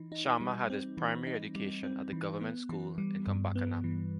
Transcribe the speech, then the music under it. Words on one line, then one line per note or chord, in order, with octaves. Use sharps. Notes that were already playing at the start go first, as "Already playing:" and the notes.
Sharma had his primary education at the Government School in Kumbakonam.
Already playing: E3 D#4
D#4
G3
C4
E3
D#4
G3
C4
E3
B3
E3
G3
G2
B3
E3